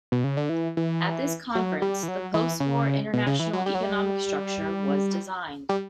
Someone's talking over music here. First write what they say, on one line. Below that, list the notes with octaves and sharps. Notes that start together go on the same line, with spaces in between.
At this conference the post-war international economic structure was designed.
B2
C#3
D3
E3
E3
F#3
G3
E3
F#3
E3
C#3
B2
C#3
E3
F#3
G3
F#3
G3
G3